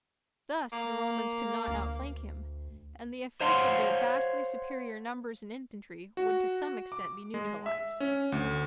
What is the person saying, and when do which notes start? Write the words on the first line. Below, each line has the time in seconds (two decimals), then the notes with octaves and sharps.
Thus the Romans could not outflank him, and the effect of their vastly superior numbers in infantry would to some extent be neutralized.
0.72 A#3
1.68 D2
3.40 C5 C#5 F5 F#5 B5 C6
6.17 F#4
6.92 D6
7.34 G#3
7.66 E5
8.00 C#4
8.32 D2